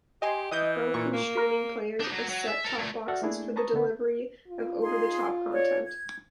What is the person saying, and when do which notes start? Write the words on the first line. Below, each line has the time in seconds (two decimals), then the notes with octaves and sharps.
Roku Streaming Players are set-top boxes for the delivery of over-the-top content.
0.22 G4 D#5 G#5 C6
0.51 E3 D#5 D#6 G6
0.94 A#2 C#6
1.13 A#3
1.37 A#4
2.00 D4 D#4
2.12 F#3
2.29 F#3
2.47 E5
2.64 A4 A#4
2.78 A#2 A3
3.08 F#4 A4 D5 E5 F#5 F6
3.22 A3 A#3 D4 E4 G#4
3.56 B4 C5 A5 A#5 C#6 D#6
3.73 D3 B3
4.48 F4
4.82 D#4 G#4 C6
5.51 C#5 D5
5.86 G#6